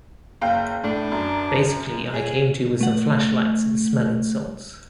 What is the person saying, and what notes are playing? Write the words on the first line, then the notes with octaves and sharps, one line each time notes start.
Basically, I came to with some flashlights and smelling salts.
F#1 F5 G5
A2 D4
F#2
G#4
A3 F#5